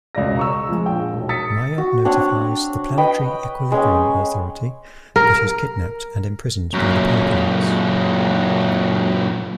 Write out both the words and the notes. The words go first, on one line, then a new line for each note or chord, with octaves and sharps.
Maia notifies the "Planetary Equilibrium Authority", but is kidnapped and imprisoned by the Perkinites.
E1 C#2 D5 A#6
A#5 C#6 E6
F3 G#3
A#1 G5
E1 B1
D#6 E6 A6 B6 C#7
F#4
C4 D4 C#5 F#5
B4 D#5 G5
G#3 C#4 G5
A#4
F#2 A#2